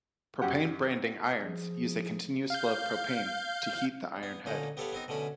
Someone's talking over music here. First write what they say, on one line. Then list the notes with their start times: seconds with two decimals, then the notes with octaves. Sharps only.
Propane Branding Irons use a continuous flow of propane to heat the iron head.
0.42 F#2 G4 F#5
1.42 F3 G#4
2.50 F5 G6
4.23 B3
4.46 A#2 D3 C#4 D#4
4.77 B3 G4 A4 C#5 F5 B5
4.92 B3 C4 D#4
5.08 B2 D3 A3 C#4 B5